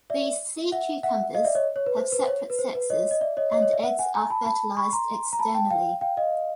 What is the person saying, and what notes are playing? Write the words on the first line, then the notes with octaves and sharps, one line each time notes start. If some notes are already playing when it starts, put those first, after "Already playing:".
These sea cucumbers have separate sexes, and eggs are fertilized externally.
D5 E5
E5 F#5
E5 F#5
D#5 F5
D5 E5
C#5 D#5
C#5
B4
C5
B4
C5
C#5
B4
C5
B4
C#5 D#5
D#5
D5 E5
C#5 D#5
C#5 D#5
C#5 D#5
D5 E5
E5 F#5
F#5 G#5
G#5 A#5
A5 B5
A5 B5
B5 C#6
A#5 C6
A#5
A5 B5
G5 A5
F5 G5
F5 G5
D#5 F5